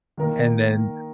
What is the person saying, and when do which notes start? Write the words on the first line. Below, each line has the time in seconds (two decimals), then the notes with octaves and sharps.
and then
0.17 D#3 A#3 D#4 A#4